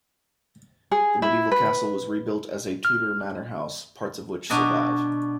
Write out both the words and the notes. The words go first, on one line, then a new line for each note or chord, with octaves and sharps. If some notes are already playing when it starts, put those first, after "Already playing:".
The medieval castle was rebuilt as a Tudor manor house, parts of which survive.
G#4
E4
B4
F6
B2 D4 F#4 D#5 A#5